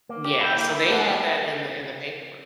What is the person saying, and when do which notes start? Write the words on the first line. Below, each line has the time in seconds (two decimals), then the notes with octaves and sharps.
Yeah, so they have that in the in the paperwork.
0.09 A#3
0.25 G4
0.41 E4 G5
0.58 A#3
0.75 E4
0.90 D4 F#5
1.07 B3